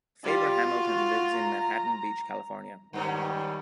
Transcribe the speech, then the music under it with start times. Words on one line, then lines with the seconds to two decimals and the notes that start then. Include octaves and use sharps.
Favor Hamilton lives in Manhattan Beach, California.
0.24 G3 F4
0.67 F#4
1.36 A#5
2.93 G2 D#3 G3 B3 C#4